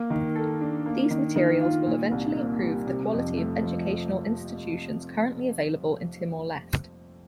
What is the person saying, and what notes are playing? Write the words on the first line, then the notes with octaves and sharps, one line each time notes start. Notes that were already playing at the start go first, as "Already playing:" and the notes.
These materials will eventually improve the quality of educational institutions currently available in Timor-Leste.
Already playing: A#3
D#3
A4
D4
A#3
D#3
D#3
F4
A#2
C2
A#3
G3
C3
F2
A3
F3